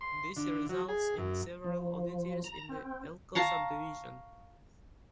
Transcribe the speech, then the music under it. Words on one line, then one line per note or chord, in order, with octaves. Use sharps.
This results in several oddities in the Elko Subdivision.
C6
D3
F#3
G#4
F#2
F3
A#5
C4
F5 A5 A#5 C#6